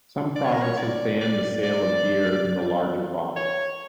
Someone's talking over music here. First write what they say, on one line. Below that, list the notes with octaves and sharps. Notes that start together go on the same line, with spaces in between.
Some provinces banned the sale of beer in the larger bottle.
D5
C#5
A#4
C#5
D5
D5
D5
C#5